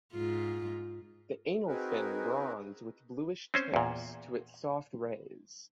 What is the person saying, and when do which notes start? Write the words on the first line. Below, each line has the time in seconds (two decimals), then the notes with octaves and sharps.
The anal fin bronze with bluish tips to its soft rays.
0.13 G#2 F4
1.67 C4 D#4 F#4 G#4 A#4 B4
3.54 C4 C#4 C5
3.74 E2 A#2